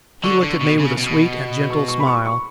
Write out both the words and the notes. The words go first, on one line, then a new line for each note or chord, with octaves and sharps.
He looked at me with a sweet and gentle smile.
D3 C#6
D3
B2
C#3
B2
C#6
C#6
B5
C#6
C#6